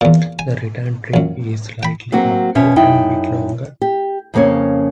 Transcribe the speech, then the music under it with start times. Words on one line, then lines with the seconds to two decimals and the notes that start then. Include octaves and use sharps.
The return trip is slightly uphill and a bit longer.
0.01 E2 A#2
0.39 G#5
1.14 A#1 F#2
1.83 G5 B5
2.12 F#3 A#3 C4 F#4
2.55 F2 B2 C#4 E5
2.76 F#2 D#4 E4 G5
3.82 G4
4.34 F2 C#3 A#3 C#4 C#5